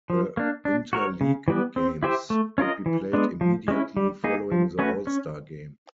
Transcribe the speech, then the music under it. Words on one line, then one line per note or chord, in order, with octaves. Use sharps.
The interleague games would be played immediately following the All-Star Game.
F3
A#3 D4
D4
F#4 A#4 C#5
C#3
E3 G3 B3
C4
E4 G4 C5 E5
A3
C#4 F4 A#4 D#5
E3
G#3 B3 D4
F3
G#3 C#4 E4
G3
A#3 D#4 G#4
F3
A3 C#4 F#4 B4
C#4